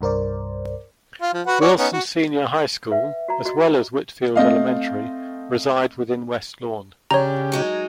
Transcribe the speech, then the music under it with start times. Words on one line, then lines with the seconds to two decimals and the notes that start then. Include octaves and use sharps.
Wilson Senior High School, as well as Whitfield Elementary reside within West Lawn.
0.01 C2 G2 A#4 C5 D5
1.22 F4
1.34 F3
1.47 F#4 B4 F#5
1.61 F#4 C#5 D5
1.78 B3 C#4 D#4
1.93 F#4
2.92 B4 E5 F#5
3.28 F#4 D5 A#5
3.45 F#4 D5 D#5
4.36 A3 C4 D#5 F5
7.11 C#3 D4 G4 C#5 A#5
7.52 F#3 G#3 D#4